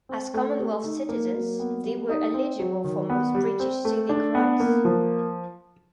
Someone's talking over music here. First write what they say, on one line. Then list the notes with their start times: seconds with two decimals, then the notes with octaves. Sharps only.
As Commonwealth citizens, they were eligible for most British civic rights.
0.09 C4
0.34 A3
0.59 G4
0.84 D#4
1.09 A#3
1.34 F#3
1.59 B3
1.84 G3
2.09 D#4
2.34 C4
2.59 F#3
2.84 D#3
3.10 B3
3.35 G3
3.60 C4
3.85 A3
4.09 D4
4.35 B3
4.60 A#3
4.85 F3